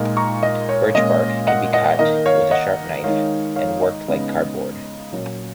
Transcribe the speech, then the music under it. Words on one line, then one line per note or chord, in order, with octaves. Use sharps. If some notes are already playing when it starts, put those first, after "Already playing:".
Birch bark can be cut with a sharp knife, and worked like cardboard.
Already playing: A#2 G#3 D#4
A#5 C#6
D#5
C#5
A#2 G#3 C#4 D#5
D#5 F#5
D#5 F#5
D#3 A#3 D#4 D#5
C#5 F5
D#5 F#5
D#3 G#3 D#4 C#5 F5
C#5 F5
D#5
C#3 G#3 B3 D#4
A#2 F#3 C#4